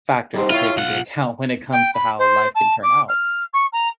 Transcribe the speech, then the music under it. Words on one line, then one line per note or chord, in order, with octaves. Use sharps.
factors to take into account when it comes to how life can turn out.
G3 D#4 C5
E4 F4 C#5
B1 F4 F#5
G5
B5
C5
A5
D6
F6
C#6
A#5